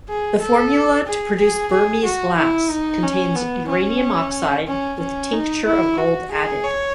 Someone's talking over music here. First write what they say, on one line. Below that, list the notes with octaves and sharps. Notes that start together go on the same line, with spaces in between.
The formula to produce Burmese Glass contains uranium oxide with tincture of gold added.
G#4
A4
G#4
G#4
G#4
F#4
E4
D#4
C#4
B3
C#4
C#4
C#4
D#4
E4
F#4
G#4
C#5